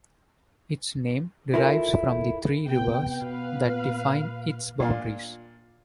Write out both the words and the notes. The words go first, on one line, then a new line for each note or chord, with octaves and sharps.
Its name derives from the three rivers that define its boundaries.
E4 F4 A4 A#4 E5 G#5
C3 B3 G5
B2 B4 F5
A#2
A#2 D4 F4